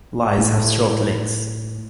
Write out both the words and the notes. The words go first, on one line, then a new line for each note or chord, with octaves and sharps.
Lies have short legs.
A2